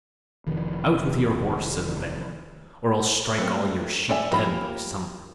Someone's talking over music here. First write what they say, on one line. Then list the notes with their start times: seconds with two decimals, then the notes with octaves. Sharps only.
'Out with your horse', said the Bear, 'or I'll strike all your sheep dead by summer.'
0.47 F1 D#3 F3
3.38 F#3 A3 A#3 C4
4.09 A4 D5 E5 G#5
4.31 F3 A#3 G4 A#4 B5